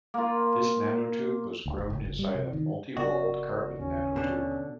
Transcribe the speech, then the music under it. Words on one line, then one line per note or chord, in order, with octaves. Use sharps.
This nanotube was grown inside a multi-walled carbon nanotube.
A#3 F4
D2
G1
F#1
F#1
G3
C3
D#3
F#1 C#3 B3 F#4 A#4 D5 D#5
D#2 C#4
B2 D3